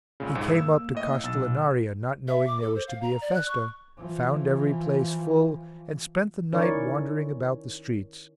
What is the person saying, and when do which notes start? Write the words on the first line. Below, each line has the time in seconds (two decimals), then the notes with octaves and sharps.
He came up to Castellinaria, not knowing there was to be a festa, found every place full and spent the night wandering about the streets.
0.20 C#2 A#2 C#3 E6
0.35 C2 F2 G#2
0.58 A#3 E6
0.95 A2 D#5
1.23 B1 B2 E6 A6
2.28 E5
2.47 D6
2.62 A4
2.75 C5
2.88 F5
3.02 A#5
3.21 D5
3.35 F#6
3.48 C#6
3.97 E3 F3
6.53 D#3 C#4 E4 A#4 C#5 D5